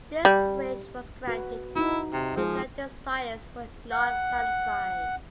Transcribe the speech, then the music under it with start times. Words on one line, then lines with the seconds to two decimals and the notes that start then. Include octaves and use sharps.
This wish was granted, but her desires were not satisfied.
0.25 G3
1.28 F#4 B4
1.76 D#4 E4 F#4
2.13 C3
2.37 F3 G#3 G#4
3.92 F#5